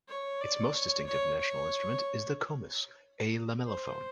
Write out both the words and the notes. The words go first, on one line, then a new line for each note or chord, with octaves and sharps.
Its most distinctive national instrument is the "khomus", a lamellophone.
C#5
D5
C#5
C#5
C#5
C5